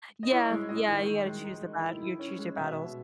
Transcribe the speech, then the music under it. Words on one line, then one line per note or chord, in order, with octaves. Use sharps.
Yeah, yeah, you gotta choose the bat you choose your battles.
D#5
E4 C#5
G#3
E4 D#5
D#3
D#3
G#3
D#4
D#3
E4
E4
C#4
G#3
B2 E5
B2